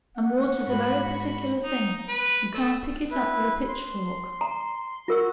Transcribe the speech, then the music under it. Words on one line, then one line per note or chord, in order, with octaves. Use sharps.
And water's a very particular thing; you can't pick it up with a pitchfork.
F#5
G#2 F#4 B5
D#4
B4
A3
E4 B4
C6
A#5
F4 F#4 A#4 E6